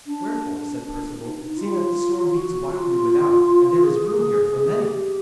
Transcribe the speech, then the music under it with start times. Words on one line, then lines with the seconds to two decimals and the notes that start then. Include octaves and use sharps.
'Wherefore,' said Perceval, 'seeing that the storm beats wildly without and there is room here for many?'
0.06 D4
0.82 D4
1.19 D#4
1.45 D#4
1.57 F4
2.33 F#4
2.70 F4
3.84 G#4
4.60 G#4
4.79 G4